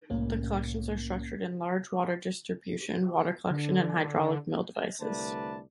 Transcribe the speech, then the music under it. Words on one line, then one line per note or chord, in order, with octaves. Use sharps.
The collections are structured in large water distribution, water collection and hydraulic mill devices.
C2 A2 A#3 C#4
D3
C2 D3 A3 B4 D5 A5